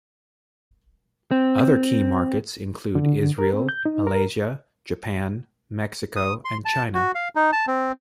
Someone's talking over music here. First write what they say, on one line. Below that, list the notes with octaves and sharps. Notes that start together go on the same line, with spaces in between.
Other key markets include Israel, Malaysia, Japan, Mexico and China.
C4
D3
A#4
C4
G6
D#4
A#4
D#6
C6
A5
F#4
F5
D#4
A5
C4